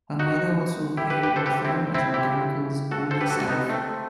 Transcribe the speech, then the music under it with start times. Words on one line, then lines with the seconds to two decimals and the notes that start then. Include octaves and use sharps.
Her mother also appeared in the film as McGarricle's older self.
0.19 D#4 F#4
0.97 E4 G4
1.10 G4 B4
1.23 G4 B4
1.36 A4 C5
1.46 G4 B4
1.65 C4 E4
1.94 C4 E4
2.14 E4 G4
2.91 F#4 A4
3.11 A4 C5
3.21 G4 B4
3.30 F#4 A4
3.49 B3 D#4
3.69 A3 C4